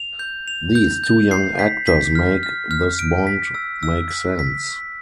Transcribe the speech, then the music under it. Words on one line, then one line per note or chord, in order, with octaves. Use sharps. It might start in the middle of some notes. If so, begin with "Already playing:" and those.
These two young actors make this bond make sense.
Already playing: F7
G6
F7
G6
G6
C7
B6
B6
F6
F6
F6
D7
B6
E6
E6
B6
B6
B6